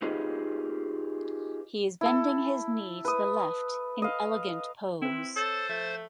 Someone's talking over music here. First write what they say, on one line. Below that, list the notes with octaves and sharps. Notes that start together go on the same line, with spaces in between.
He is bending his knee to the left in elegant pose.
D#4 F4 G4 G#4 B4 D#5
E4 A4
B4 D#6
D#5 F5
C4 E4 B4
A4 C5 C#5 A6
F3 A3